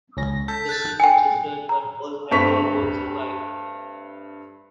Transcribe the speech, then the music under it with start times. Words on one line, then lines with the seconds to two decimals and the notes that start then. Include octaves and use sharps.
The ship was destroyed, but all hands on board survived.
0.17 C#2 C#4 A#6
0.48 A4 G6 B6
0.69 F#6 G6 A6
1.00 G5 G#5
1.69 A#5
2.31 G2 A3 C4 C#6 B6 F7